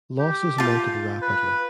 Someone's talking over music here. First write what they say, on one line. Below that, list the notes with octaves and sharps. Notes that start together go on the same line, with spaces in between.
Losses mounted rapidly.
G4
F4 A5
B4